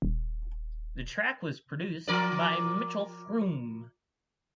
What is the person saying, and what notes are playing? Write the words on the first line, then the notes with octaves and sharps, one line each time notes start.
The track was produced by Mitchell Froom.
D#1
F3 A#4 D5